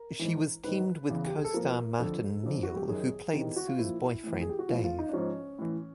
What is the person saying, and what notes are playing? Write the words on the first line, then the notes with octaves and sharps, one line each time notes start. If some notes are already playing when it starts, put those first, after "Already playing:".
She was teamed with co-star Martin Neil, who played Sue's boyfriend Dave.
Already playing: A#4
G#2 E3
G#2 D#3 B4
E2 C#3 E3
G4
G#4
A4
A#2 F3 A#4
F2 D3 F3 A4
F2 D3 F3
F#4
G4
F#2 D#3 G#4
E2 C3 D#3
F#4
F4
A#2 F3 E4
A2 E3
G#4
G4
F#4
A2 F3 F4
F4
D#4
D4
G#2 F3 C#4
A2 E3